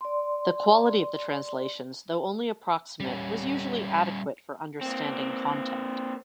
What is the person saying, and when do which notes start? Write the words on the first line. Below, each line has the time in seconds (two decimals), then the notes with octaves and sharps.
The quality of the translations, although only approximate, was usually adequate for understanding content.
0.01 D5 C6
3.00 G3 C#4
4.81 A#3 C4